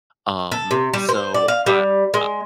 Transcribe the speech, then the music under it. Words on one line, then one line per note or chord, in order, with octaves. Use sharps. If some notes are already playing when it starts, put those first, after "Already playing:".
Um, so I I
A4
C3
G3
C5
D5
F5
G3
G#3